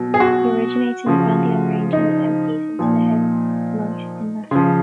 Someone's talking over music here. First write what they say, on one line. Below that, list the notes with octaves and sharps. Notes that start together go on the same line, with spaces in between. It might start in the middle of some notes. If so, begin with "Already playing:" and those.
It originates in the Pantheon Range and empties into the head of Knight Inlet.
Already playing: B2 F#3
G#4
F#4
C#3 F3
D#4
A#2 F3
C#3 F3